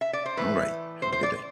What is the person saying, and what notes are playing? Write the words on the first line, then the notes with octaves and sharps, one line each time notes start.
Alright. Have a good day.
E5
D5
C5
A2 E3 A3 B4
C5
C5
D5